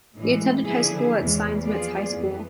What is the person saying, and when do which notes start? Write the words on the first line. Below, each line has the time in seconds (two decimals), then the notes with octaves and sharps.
He attended high school at Steinmetz High School.
0.14 A2 E3 G#3
0.63 D3 F3 B3 E4 G#4
1.12 E2 C3 G#3
1.62 F3 B3 F4 G#4 D5
2.11 F2 E3 B3